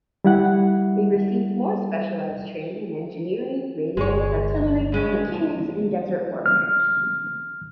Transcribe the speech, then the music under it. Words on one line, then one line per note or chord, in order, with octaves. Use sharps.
They received more specialised training in engineering, radio, artillery, mechanics and desert warfare.
G3 E4 F#5
G1 G#3 C#5
G2 G#3 C#4
F6